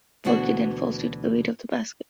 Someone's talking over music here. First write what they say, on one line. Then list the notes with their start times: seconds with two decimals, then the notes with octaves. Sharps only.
Porky then falls due to the weight of the basket.
0.25 D2 B2 E3 D4 F#4